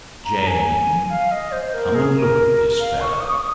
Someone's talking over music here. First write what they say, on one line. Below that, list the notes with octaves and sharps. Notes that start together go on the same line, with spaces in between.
"Jane, come and look at this fellow."
A#5
A#5
G#5
F5
D#5
C5
A#4
G#4
A#4
F5
C#6
D#6
C#6
D#6